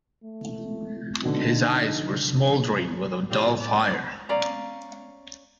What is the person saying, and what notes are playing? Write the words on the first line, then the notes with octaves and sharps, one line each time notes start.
His eyes were smouldering with a dull fire.
A3
B2 D3 D#4
A2 G3 C4 F4 D5
A2 D5
D#7
C#4 D5 F5 A#5